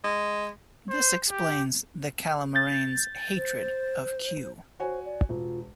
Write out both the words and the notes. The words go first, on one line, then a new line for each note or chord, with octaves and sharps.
This explains the Calamarain's hatred of Q.
G#3
C5
G4
G6 A6
C5
F#4 C5 C#5 G#5
D5
E1 F4